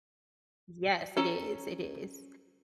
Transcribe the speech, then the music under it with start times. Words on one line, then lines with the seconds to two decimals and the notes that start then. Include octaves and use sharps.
Yes, it is, it is.
1.17 C#4 A4 A#5